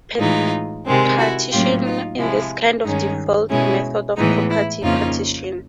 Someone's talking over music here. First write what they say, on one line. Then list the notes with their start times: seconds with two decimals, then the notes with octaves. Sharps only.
Partition in kind is a default method of property partition.
0.19 A2 E3 G#3 D#4 F4
0.85 C3 D#3 G#3 C4
1.18 E4 F#4
1.51 A2 F#3 A#3 C#4 F4 G4
1.84 D#4 F4
2.17 C3 F3 G#3 E4
2.84 G2 D#3 G#3 C#4 D#4
3.50 B2 G#3 C#4 E4
4.17 A2 E3 G#3 B3 D#4
4.50 E4
4.82 F2 C#3 F3 A#3 C#4 D#4 F4